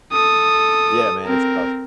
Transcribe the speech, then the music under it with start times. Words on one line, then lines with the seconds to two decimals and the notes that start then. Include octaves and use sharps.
yeah, man, it's tough.
0.12 A4 D#6
1.26 C4 A#4